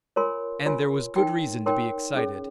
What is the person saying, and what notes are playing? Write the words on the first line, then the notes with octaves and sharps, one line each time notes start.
And there was good reason to be excited!
F4 A#4 C#5 G#5 C6
F4 A#4 C#5 G#5 C6
D#4 A#4 C#5 G5 C6
D#4 A#4 C#5 G5 C6
C#4 G#4 C#5